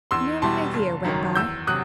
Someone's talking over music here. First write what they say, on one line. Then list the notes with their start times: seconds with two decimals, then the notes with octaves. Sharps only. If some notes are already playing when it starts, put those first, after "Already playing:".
Nearly a year went by.
0.11 E2 C6 E6
0.42 B2 G3 A5 C6
0.74 F#1
1.05 F#2 D#3 F#3
1.35 E2 E6 G6
1.67 C3 F#3 D#6 F#6